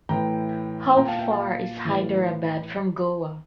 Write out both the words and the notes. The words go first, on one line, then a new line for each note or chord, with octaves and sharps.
How far is Hyderabad from Goa?
A2 E3 G5 A#5
A#2 G5 A#5
F5 A5
E5 G5
F5 A5
A2 E3